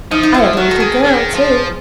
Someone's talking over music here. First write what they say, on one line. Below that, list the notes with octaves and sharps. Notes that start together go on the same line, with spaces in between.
I had a little girl, too.
F3 D#4
D#4
E4
D#3 F#4
A4
G#4
D#3
F3